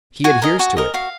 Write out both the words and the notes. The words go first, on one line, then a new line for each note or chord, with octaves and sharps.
He adheres to it.
F#4 G#5
A#4 D#5
F#4
A#4 D#5
F#4 F5